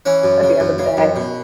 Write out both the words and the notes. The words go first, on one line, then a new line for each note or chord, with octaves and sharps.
at the end of the day,
E3 C#4
F#2
C#3
F#2
C#3
F#2
B2